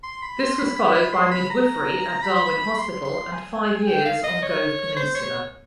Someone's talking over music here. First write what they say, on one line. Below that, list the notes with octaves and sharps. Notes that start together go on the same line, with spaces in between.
This was followed by midwifery at Darwin Hospital and five years on Gove Peninsula.
C6
B5
C6
B5
B5
B5
C6
B5
A#5
B5
C6
C6
G#5
G5
F5
D#5
C#5
C5
C#5